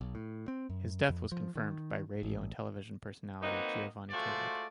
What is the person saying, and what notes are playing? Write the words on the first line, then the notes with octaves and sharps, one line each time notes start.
His death was confirmed by radio and television personality Giovani Caleb.
B1
A2
C4
F#2
F2
F3
D#3
A1
D#3 A#3 C4 D#4 F#4 B4
G#3 A3 F4 F#4 C5 D5